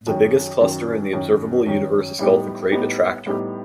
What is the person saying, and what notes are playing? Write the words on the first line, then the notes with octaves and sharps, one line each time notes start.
The biggest cluster in the observable universe is called the Great Attractor.
F#2 D#3 F#3
F#2 D#3 F#3
F#2 D#3 F#3
F#2 D#3 F#3
A2 G3 B3 D#4 G4
A2 G3 B3 D#4 G4
A2 G3 B3 D#4 G4